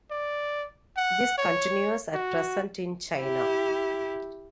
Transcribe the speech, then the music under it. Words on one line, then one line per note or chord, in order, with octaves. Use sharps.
This continues at present in China.
D5
F#5
C#5
F#4
E4 G4